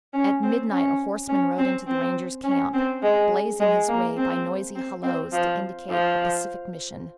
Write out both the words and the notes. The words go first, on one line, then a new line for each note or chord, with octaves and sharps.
At midnight a horseman rode into the rangers' camp, blazing his way by noisy "halloes" to indicate a pacific mission.
C#4
C4
C#4
C#4
C4
C4
C#4
C4
G#3
G#3
A#3
C4
C4
C4
F3
F3